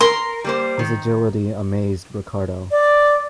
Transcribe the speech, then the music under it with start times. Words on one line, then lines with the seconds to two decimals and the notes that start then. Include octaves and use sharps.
His agility amazed Ricardo.
0.01 A#4 C6
0.44 G3 A#3 C5
0.79 D#3
2.71 D5